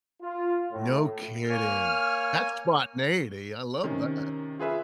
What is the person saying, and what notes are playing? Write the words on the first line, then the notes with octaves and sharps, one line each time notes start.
No kidding. That's spontaneity, I love that.
F4
A2
A#3 C#5 G#5 F6
C3 D#3 C#4
F4 G#4 B4 E5